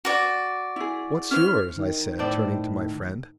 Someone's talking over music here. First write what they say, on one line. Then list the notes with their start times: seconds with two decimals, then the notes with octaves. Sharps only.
"What's yours?" I said, turning to my friend.
0.05 F#4 D5
0.76 E4 G#4
1.31 C#4 E4 C5 F6
1.76 D#3
2.19 A2 C5 D5